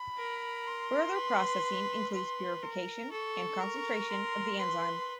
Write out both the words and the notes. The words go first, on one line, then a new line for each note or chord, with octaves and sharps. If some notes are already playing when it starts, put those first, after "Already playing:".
Further processing includes purification and concentration of the enzyme.
Already playing: B5
A#4
C6
B4
B4 C6
A#4
A4 C#6
A#4
C6
B4 C6